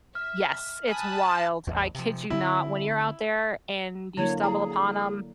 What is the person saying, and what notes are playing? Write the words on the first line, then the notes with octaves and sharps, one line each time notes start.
Yes, it's wild. I kid you not when you're out there, and you stumble upon 'em
E5 F6
G#5 A5 B5 D#6 F#6
A1 E2
C3 F3
D3 C4 E4
D3 F#3 A#3 E4 C#5
E4 G#4 A#5